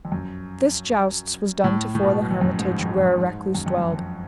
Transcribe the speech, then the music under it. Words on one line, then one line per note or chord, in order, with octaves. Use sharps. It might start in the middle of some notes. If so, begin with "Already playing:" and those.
This jousts was done to-fore the hermitage where a recluse dwelled.
F2
F#2
A2
A2
B2
F2
F#2
G#2
F2
F#2
G#2
F#2
F2
F#2
F2